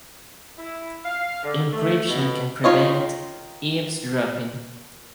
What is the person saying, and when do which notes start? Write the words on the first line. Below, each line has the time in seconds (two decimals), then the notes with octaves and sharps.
Encryption can prevent eavesdropping.
0.59 E4
1.05 F5
1.43 D3
1.72 A3
2.08 B2
2.64 D#3 F4 C#5 D#5